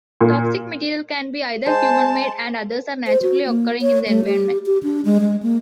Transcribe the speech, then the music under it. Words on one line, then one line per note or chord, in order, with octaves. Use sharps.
Toxic material can be either human-made and others are naturally occurring in the environment.
A#2
G#3 C5 A5
C5
F#4
A#3
C#5
A3
G4
G4
D4
G#3
G#3
A#3